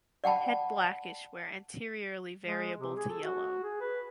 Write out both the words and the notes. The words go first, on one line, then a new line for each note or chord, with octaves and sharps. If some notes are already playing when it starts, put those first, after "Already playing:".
Head blackish where anteriorly variable to yellow.
D5 F#5 G5 A5 B5
G#3
C3
G#4
A4
F#4
G#4
B4